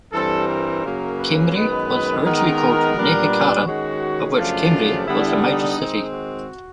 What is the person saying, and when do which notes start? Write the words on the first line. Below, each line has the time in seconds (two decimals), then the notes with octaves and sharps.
Khemri was originally called Nehekhara, of which Khemri was a major city.
0.13 G2 E3 G3 C4 A4
0.48 A#4
0.83 F#2 C#3 F#3 A#3
1.19 B4
1.54 F#2 D#3 G#3 B3 B4
2.25 D#3 G#3 B3 A#4
2.96 A#2 G3 B3 D4
3.66 D#3 G#3 C#4 F#4
4.36 F#2 C#3 F3 A3 D4 F4
5.06 D3 G3 B3 D4 E4
5.42 D#4
5.78 D#3 G#3 C4
6.13 F#4